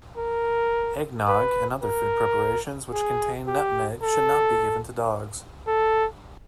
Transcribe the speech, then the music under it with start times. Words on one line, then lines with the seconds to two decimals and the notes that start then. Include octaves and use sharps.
Eggnog and other food preparations which contain nutmeg should not be given to dogs.
0.17 A#4
1.28 B4
1.83 A#4
2.93 G#4
3.47 G4
4.03 A4
5.67 A4